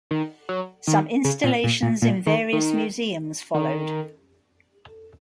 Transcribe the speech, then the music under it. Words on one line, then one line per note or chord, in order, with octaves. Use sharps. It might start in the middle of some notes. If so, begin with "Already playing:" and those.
Some installations in various museums followed.
D#3
F#3
D#3
C#3
A#2
A#2
A#2
A#2
D#3
D#3
D#3